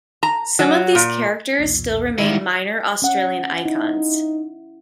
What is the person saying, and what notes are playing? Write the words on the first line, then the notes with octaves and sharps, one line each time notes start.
Some of these characters still remain minor Australian icons.
A#5
F#3
A#2
B1 E2 A#2
D#3 G3 G#3 E4 C5 G#6
C#4 F#5
D#4 E4